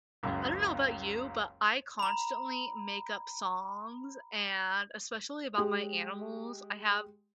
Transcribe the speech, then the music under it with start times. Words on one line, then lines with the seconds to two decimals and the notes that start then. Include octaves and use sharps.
I don't know about you but I constantly make up songs and especially about my animals. I have
0.23 F#1 C#2 F#2
1.99 A#5 B5
5.58 G#3 G4